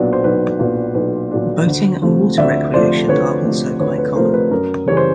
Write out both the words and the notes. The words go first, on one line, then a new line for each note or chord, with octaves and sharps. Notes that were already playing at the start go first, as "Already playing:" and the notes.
Boating and water recreation are also quite common.
Already playing: B1 A#2 F#3 B3 D4
C5
B1 B4
A#2 F#3 B3 D4
B1 B4
A#2 F#3 B3 D4
D2
C3 F3 A3
D2 D5 E5
C3 F3 A3 C5 D5
D2 B4 C#5
C3 F3 A3
D2 B4 C#5
B4
C3 F3 A3 A#4 C5
B4
F#2 A#4
C#3 E3 G3 C#5
C5